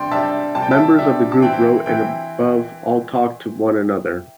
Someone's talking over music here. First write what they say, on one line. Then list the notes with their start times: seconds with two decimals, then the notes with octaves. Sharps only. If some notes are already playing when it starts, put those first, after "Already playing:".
Members of the group wrote and above all talked to one another.
Already playing: C3 G3 D4 G5 C6
0.11 C3 G3 D4 E5 A5
0.55 C3 G3 D4 A5
0.63 G5
0.71 E5 A5
0.98 C3 G3 D4 E5
1.32 A5
1.42 E3 C4 E4 G5
1.86 E3 C4 E4 G5